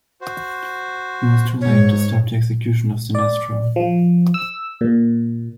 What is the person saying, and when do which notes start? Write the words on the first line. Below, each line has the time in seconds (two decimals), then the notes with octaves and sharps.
He was too late to stop the execution of Sinestro.
0.21 F#4 C5
1.61 G#2 C#5
3.15 D5
3.76 F3
4.34 E6
4.81 A#2